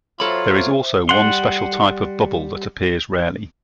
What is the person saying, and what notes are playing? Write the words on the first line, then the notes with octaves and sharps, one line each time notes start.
There is also one special type of bubble that appears rarely.
F#3 F4 A4 C5 C#5 E5 B5
G3 F#5 C6